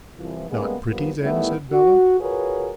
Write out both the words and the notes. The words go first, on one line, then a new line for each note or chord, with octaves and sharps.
'Not pretty then?' said Bella.
C2 E3 F3
C#3 G3 G#3 A#3 B3
G2 A#2 F3 G3 A#3 B3
D#3 G3 A3 B3 E4
F#4
F4 F#4 G#4 A#4 B4 C#5